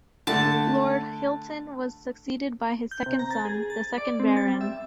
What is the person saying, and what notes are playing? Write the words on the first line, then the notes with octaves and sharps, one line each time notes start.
Lord Hylton was succeeded by his second son, the second Baron.
D3 A3 A5
G6
C3
A#5
A6
G#4
A6
D5
C4
A6
G3
E5